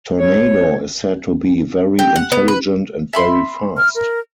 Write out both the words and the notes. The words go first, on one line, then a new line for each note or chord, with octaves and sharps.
Tornado is said to be very intelligent and very fast.
C#5
G4
F#5
B3
B4
E5 B5 C6
F6
A#4